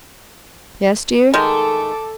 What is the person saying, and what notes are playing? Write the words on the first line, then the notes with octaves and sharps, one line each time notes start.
"Yes, dear?"
D#3 G#3 A3 A4 D6